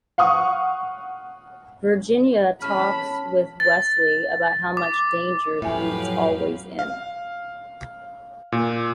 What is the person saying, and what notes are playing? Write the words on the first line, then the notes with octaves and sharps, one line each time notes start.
Virginia talks with Wesley about how much danger he's always in.
F5 F#5 C#6 D#6
C#4 E5 A5 B5 F6
A6
D6
F2 A2 F#3 G4 B4 E5 F5 G#5
F5
A#2